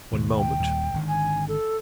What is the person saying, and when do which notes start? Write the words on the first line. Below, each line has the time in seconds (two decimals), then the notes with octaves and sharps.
One moment.
0.13 D#2 B2
0.37 G5
0.60 D#2 A#2 G3
0.94 G#1 D3 D#3
1.08 G#5
1.49 A4